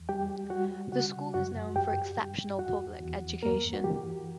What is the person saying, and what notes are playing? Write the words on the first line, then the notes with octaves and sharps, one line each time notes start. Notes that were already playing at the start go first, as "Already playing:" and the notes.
The school is known for exceptional public education.
Already playing: E2
G3 G4 G5
G3 F#4 F#5
C#3 F#4 F#5
F#2 F#4 F#5
G2 G4 G5
G2
E2 F#4 F#5
E2
G2 A#3 A#4
F#4
E3 G4